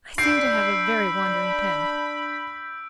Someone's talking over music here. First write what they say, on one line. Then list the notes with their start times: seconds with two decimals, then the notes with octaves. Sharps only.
I seem to have a very wandering pen.
0.18 D4 B5 E6 G6 C7 D7